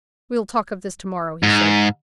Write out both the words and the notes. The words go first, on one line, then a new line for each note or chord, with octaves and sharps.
"We'll talk of this to-morrow," he said.
G#2